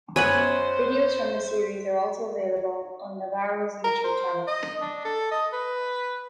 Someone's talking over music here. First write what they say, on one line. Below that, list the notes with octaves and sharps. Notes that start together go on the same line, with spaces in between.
Videos from the series are also available on Navarro's YouTube channel.
F#2 B3 C5 C#5 G#5 F#6 D#7 F#7
A#4
C5
D#5
D4
A4
D#5
B4